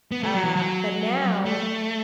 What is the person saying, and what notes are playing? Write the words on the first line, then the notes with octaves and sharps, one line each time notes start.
Uh, but now
B3
A3
F#3
E3
F#3
A3